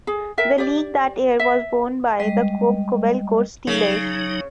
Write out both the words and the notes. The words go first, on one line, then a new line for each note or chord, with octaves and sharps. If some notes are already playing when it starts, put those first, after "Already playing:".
The league that year was won by the Kobe Kobelco Steelers.
G#4
A#4 E5 G5
G4 D5
E5
G3 G#3 D#5
C#3 F#3 D#4